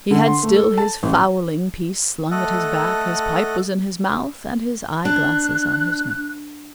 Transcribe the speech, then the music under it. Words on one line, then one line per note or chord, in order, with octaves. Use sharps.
He had still his fowling-piece slung at his back, his pipe was in his mouth, and his eye-glasses on his nose.
D3
C6
A3
A4
A5
A1
A3 A4 D#5 F#5
D4 F#6